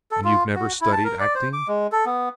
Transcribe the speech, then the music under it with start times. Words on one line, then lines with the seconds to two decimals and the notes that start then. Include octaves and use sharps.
"And you never studied acting?"
0.11 A4
0.24 F4
0.56 F#4
0.81 E4
0.92 A5
1.05 A#4
1.20 D5
1.35 C5
1.53 D6
1.68 G#3
1.92 A4
2.06 B3